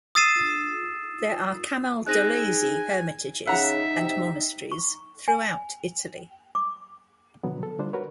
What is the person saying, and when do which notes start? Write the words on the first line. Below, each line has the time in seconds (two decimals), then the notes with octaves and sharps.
There are Camaldolese hermitages and monasteries throughout Italy.
0.15 D#6 E6 A6 C7 D#7 E7
2.06 G#3 C4 D#4 G#4 G#5 F#6 A#6 D#7
3.47 C#3 D#4 E5 F#5 A#5
3.96 C3
4.72 C#6
5.28 G#5
6.55 D6
7.43 B2 D3 D#3 F3 F#3 B3
7.63 A4
7.79 D3 G3 D4 F4 C5
7.93 F#4 A#4 B4 C#5